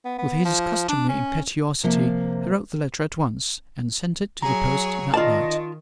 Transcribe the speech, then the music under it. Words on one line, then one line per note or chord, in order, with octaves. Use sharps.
With his customary impetuosity, he wrote the letter at once, and sent it to the post that night.
B3
B3
F3
D4
C#4
C3 F3 A#3 F4 C5
F#3 G#4 C#5 A#5
D#3 F4 D5 D#5 A5